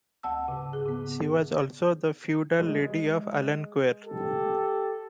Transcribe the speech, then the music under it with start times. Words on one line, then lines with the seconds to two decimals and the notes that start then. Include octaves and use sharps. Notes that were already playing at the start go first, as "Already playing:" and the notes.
She was also the feudal Lady of Alenquer.
0.23 D2 F#5 A5 E6
0.48 G#2 C#3
0.73 G#4
0.86 C#3 B3
2.60 G#3
4.05 G4 A4